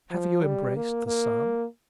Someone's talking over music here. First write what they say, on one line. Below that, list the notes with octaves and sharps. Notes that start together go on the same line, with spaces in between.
Have you embraced the Son?
F3
G3
A#3
A#3